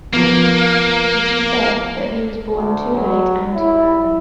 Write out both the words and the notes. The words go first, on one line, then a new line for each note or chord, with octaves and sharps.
It is said, that he was born too late and too early.
F3 A#3 B3
D2
F#3
E4